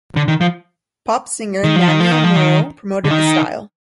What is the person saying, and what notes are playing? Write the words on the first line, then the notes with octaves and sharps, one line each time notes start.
Pop singer Namie Amuro promoted the style.
D3
D#3
F3
D#3
F3
D#3
F3
D#3
F3
D#3
D3
D#3